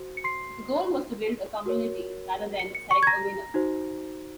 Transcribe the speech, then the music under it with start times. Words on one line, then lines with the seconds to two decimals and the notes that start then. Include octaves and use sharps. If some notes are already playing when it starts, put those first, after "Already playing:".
The goal was to build a community rather than select a "winner".
Already playing: F#4 C5
0.17 C#7
0.24 C6 C7
1.66 F#4 A#4 C#5
2.60 C#7
2.75 C#7
2.91 C#6 C#7
3.03 G#6
3.07 A#5 A#6
3.54 D#4 F#4 C5